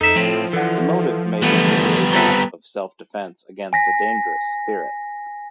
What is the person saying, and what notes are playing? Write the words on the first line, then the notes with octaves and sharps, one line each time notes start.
The motive may be merely that of self-defense against a dangerous spirit.
F2 D#4 A4 E5
A2 F3 C4
E3 A4 D5 F#5
D3 E3 G3 A3 B3
C4 A4 B4 A#5
G#5 A#6 B6